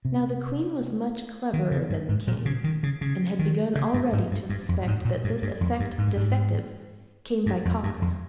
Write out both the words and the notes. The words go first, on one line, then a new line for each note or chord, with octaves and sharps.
Now the queen was much cleverer than the king, and had begun already to suspect that "this effect defective came by cause."
C3
D#3
C#3
G2
G#2
A#2
C#3
D#3
C#3
C#3
D#3
C#3
G2
G#2
G2
G2
F2
G2
G#2
A#2
G2
G2
F2
G2
G#2
G2
G#2
G2
F2
G2
F2